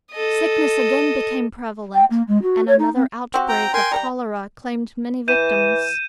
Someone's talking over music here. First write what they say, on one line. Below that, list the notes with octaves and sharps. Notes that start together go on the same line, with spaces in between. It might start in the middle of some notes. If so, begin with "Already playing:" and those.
Sickness again became prevalent, and another outbreak of cholera claimed many victims.
A4 D#5
G5
A#3
G#3
F#4
C#5
D#4
C4
C4 F#4 G4
G5 A#5
A#4 G5 G#5 C6
G3 A#4 G5 A#5
E3 G6 D#7 E7